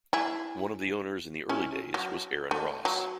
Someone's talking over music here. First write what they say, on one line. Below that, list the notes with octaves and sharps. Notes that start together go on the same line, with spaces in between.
One of the owners in the early days was Aaron Ross.
E4 G#4
C#4 E4
F#3
A3
F#3